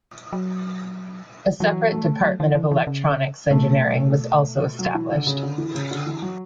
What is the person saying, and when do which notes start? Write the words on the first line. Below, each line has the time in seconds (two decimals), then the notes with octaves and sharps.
A separate Department of Electronics Engineering was also established.
0.33 F#3
1.60 E3 F#3
1.92 A3
2.24 F#3
2.40 E3
2.55 E3
2.71 E3
2.87 C#3
3.51 B2 A3
4.79 F#3
4.95 E3
5.10 D3
5.27 C#3
5.43 D3
5.58 E3
5.75 C#3
5.91 D3
6.06 E3
6.22 F#3